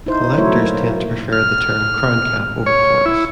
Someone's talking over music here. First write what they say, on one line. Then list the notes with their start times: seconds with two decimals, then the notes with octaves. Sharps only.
Collectors tend to prefer the term crown cap over corks.
0.06 D#4 E4 C5
0.37 F#3 A3 E4 A#4 C5 C#5
0.53 A#3
1.32 F6
2.66 C#5
3.06 E4